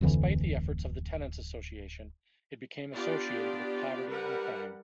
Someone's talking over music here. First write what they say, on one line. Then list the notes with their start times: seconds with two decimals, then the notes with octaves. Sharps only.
Despite the efforts of the Tenants Association, it became associated with poverty and crime.
0.01 D1 F2 D3 E3
2.92 B3 D4 F4 G4 D5
4.08 G3 A#4 B4 F#5